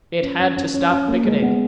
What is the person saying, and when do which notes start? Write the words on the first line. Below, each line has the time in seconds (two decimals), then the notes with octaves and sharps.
It had to stop picketing.
0.22 C#4
0.40 C#4
0.57 C#4
0.74 C#4
0.91 C#4
1.08 A#3
1.25 G#3
1.42 B3